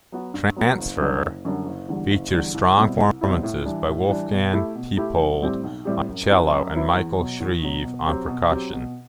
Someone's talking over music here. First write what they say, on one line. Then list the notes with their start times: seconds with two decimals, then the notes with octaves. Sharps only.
"Trancefer" features strong performances by Wolfgang Tiepold on cello and Michael Shrieve on percussion.
0.12 F#3 B3 F#4
0.34 G2
0.56 F#3 B3 F#4
0.78 F#1
1.00 F#2 D3 G3 D4
1.23 F#1
1.45 F#2 D3 G3 D4
1.66 F#1
1.89 E2 D3 G3
2.11 F#1
2.32 E2 D3 G3
2.54 C2
2.77 B2 G3 C4 E4
2.99 C2
3.21 B2 G3 C4 E4
3.43 A2
3.65 E3 G3 D4
3.88 A2
4.09 E3 G3 D4
4.31 B2
4.53 A3 E4 G4
4.75 B2
4.97 A3 E4 G4
5.19 B1
5.42 A2 G3 C4 G4
5.64 B1
5.85 A2 G3 C4 G4
6.08 F#2
6.30 F#3 C4 E4 B4
6.51 F#2
6.74 F#3 C4 E4 B4
6.95 E2
7.18 B2 F#3
7.40 E2
7.62 B2 F#3
7.84 B2
8.07 F#3 C4 G4
8.28 B2
8.50 F#3 C4 G4
8.73 B2